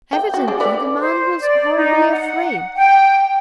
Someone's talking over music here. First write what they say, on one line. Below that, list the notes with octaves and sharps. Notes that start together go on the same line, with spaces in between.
Evidently the man was horribly afraid.
G5
F#4
G#3 D4 G4
A4 B4 D5
C5
D5
D#4
F#5
G5